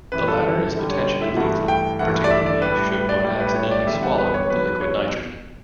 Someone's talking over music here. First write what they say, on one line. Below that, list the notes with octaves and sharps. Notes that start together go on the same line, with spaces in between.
The latter is potentially lethal, particularly should one accidentally swallow the liquid nitrogen.
F#2 E3 G3 B4
A4
F#2 D3 G3
C#5
E5
G2 E3 A3 F#5
G5
G2 E3 A3 F#5
D5
E5
D5
A2 G3 B4
B4
D5
A2 G3 D5
B4
C#5
D5
E2 D3 G3 E5
F#5
B4
C#5
E2 B2 F#3 B4
B4
C#5